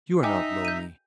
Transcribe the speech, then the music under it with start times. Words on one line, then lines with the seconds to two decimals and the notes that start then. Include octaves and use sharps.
You are not lonely.
0.23 D#4 E5 G5 G#5 D6
0.65 G6 D#7